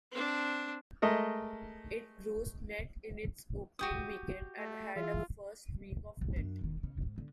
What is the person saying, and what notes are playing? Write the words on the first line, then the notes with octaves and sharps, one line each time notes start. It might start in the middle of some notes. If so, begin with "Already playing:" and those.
It grossed nett in its opening weekend, and had a first week of nett.
C4 D4
G#3 A3 A#4 D#5
F#4 G4 D#6
A3
E3 F4 G#4 E5
F1 C2
F#2 D4
E1 D#3
C#3
G#2
D3